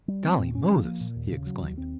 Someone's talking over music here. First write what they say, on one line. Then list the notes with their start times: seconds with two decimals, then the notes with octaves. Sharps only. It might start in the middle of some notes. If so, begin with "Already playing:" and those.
"Golly Moses!" he exclaimed.
0.08 G3
0.25 C4
0.40 A#2
0.55 C#4
0.70 F3
0.85 A#3
1.01 A#2
1.16 D#2
1.31 C#3
1.46 F#3
1.61 D#2
1.78 C4